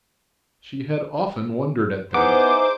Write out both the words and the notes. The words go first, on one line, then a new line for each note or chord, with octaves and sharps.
She had often wondered at them!
B3 D#4 E4 G#4 C5 D6